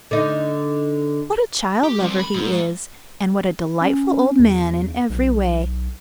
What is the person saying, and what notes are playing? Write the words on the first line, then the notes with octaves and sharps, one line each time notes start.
What a child-lover he is, and what a delightful old man in every way!
D3 D#4
G4
G3 C4
B5
G#2
C#4
E2
B1